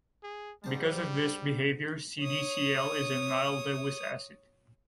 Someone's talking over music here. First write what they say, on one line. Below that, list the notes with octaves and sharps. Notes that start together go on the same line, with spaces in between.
Because of this behavior, CdCl is a mild Lewis acid.
G#4
G#2 G3 C5 A5
C#5 D#6